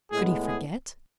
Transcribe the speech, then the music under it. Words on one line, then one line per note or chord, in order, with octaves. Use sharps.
Could he forget?
A2 G#3 B3 G#4
G#4